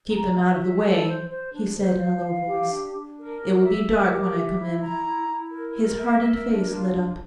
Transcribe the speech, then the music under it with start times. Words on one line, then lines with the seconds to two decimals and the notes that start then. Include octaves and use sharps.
'Keep them out of the way,' he said in a low voice; 'it will be dark when I come in.' His hardened face lit up.
0.12 A#5
0.35 E5
0.58 E5
0.82 A4
1.06 C5
1.29 C5
1.52 D4
1.76 C5
2.00 F5
2.24 F5
2.46 G4
2.70 D4
2.94 D4
3.17 A#4
3.41 G4
3.64 E5
3.88 A#4
4.11 G4
4.35 E5
4.58 E4
4.82 A#5
5.06 E4
5.29 E4
5.52 A#4
5.76 A#4
6.00 E5
6.23 A#4
6.46 D4
6.70 F4
6.93 D4